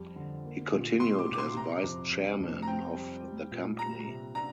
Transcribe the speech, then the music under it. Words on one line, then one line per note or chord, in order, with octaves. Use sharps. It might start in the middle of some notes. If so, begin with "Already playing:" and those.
He continued as vice chairman of the company.
Already playing: F2 G3
D3
A#3
A#2
G3 C6
D6
C3
D6
C6
C3 A#5
F2
C3
F2
A#5
C4 G5
G3
G3
A#2
G3 A#5
C3
D4 A#5